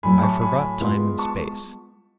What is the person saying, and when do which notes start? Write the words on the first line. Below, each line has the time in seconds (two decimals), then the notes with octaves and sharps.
I forgot time and space.
0.03 A2 F#3 A3 G#5 B5
0.22 A5 C#6
0.42 G#5 B5
0.81 G#3 B3 F4
1.18 A5 C#6